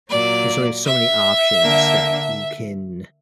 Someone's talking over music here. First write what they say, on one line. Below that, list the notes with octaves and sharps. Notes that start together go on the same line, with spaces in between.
there's only so many options that you can,
A#2 F#3 A#3 D5
E5
D3 A#3 D4